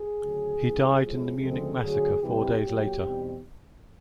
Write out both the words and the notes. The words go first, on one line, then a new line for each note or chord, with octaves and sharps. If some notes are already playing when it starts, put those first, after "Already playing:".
He died in the Munich massacre four days later.
Already playing: G#4
D2 C#3 F#3
C2 C3 E3
A2 F3 G#3
D2 C#3 F3 G#3 C4 A4
D2 D3 F#3 A3 G#4
C2 C3 E3 G3 G4
A2 F#3 A#3
E2 B2 G3 C4 D#4